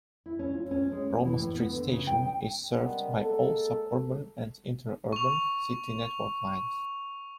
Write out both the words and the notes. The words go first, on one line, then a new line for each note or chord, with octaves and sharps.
Roma Street station is served by all suburban and interurban City network lines.
E4
C#4
F4
C#4
G#3
A#3
E3
A2
B3
D3
C#3
G5
C#3 G3 G#3 B3 A#4
G#3 A#3 A4
C#6 F7